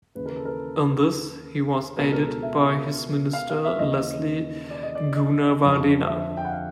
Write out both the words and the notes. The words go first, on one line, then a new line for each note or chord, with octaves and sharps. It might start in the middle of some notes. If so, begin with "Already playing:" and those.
In this he was aided by his Minister, Leslie Goonawardena.
D#2 C#3 E3 B4
A#4
A4
A#4
C#2 B2 A#4
A4
A#4
E5
F5
F5
E5
D#2 C#3 E3 D#5
D5
D#5
D5
D#5
F2 D3
E5
G5
F#5
F5